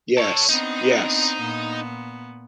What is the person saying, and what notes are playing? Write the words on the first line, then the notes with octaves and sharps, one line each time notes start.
Yes, yes,
A4 C#5
B3 C4 D4 D#4
A#2 B3